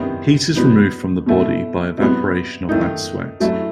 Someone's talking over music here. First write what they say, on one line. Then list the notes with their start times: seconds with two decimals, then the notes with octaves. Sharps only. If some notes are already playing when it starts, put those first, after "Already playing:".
Heat is removed from the body by evaporation of that sweat.
Already playing: C3 D#3 G3 B3 E4
0.55 F#3 B3 D#4
1.26 B2 A3 E4
1.98 C3 F#3 B3
2.69 D#3 A3 D#4
3.40 F#3 A3 E4